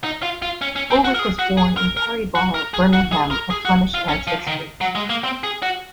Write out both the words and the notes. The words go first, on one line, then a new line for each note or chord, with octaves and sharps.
Ulric was born in Perry Barr, Birmingham, of Flemish ancestry.
D#4
F4
F4
C#4
C#4
C4
F#4
A#4
G#4
F#4
G#4
A#4
A#4
F#4
A#4
G#4
F#4
G#4
A#4
G#4
F#4
F4
C#4
F3
D#3
F#3
G#3
A#3
C4
G#4
F#4